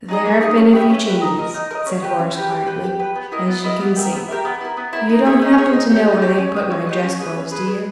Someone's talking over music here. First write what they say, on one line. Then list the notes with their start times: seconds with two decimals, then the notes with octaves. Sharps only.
"There have been a few changes," said Horace, quietly, "as you can see. You don't happen to know where they've put my dress-clothes, do you?"
0.09 D#4 G#4 D#5
0.26 A#3
0.41 D#4 G#4 D#5
0.57 C#4
0.73 G4 B4 E5
0.90 C#4
1.06 G4 B4 E5
1.21 D#4
1.38 A#4 D#5
1.54 D#4
1.71 A#4
1.75 D#5
1.86 C#4
2.03 G4 B4 G5
2.19 C#4
2.35 G4 B4 G5
2.51 G4
2.67 B4 G5
2.83 G4
2.99 B4 G5
3.15 B3
3.32 E4 A#4 D#5
3.48 B3
3.64 E4 A#4 D#5
3.80 B3
3.96 G4 A#4 E5
4.13 B3
4.28 G4 A#4 E5
4.45 B3
4.61 E4 A#4
4.77 B3
4.93 E4 A#4
5.09 D#4
5.25 G#4 C#5 E5
5.42 D#4
5.58 G#4 C#5 E5
5.73 D#4
5.90 G4 C#5
6.06 D#4
6.22 G4 C#5
6.38 C#4
6.54 G4 B4 D#5
6.70 C#4
6.87 G4 B4 D#5
7.03 C#4
7.19 G#4 B4
7.35 C#4
7.51 G#4 B4
7.67 G#4